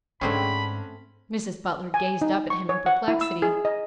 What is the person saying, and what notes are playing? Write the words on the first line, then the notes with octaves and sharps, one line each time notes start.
Mrs. Butler gazed up at him in perplexity.
G#2 D3 A3 C4 C#4 G#4 B5
G#5
D#4
C#6
C#5
F#5
E4
E6
G#4
D#5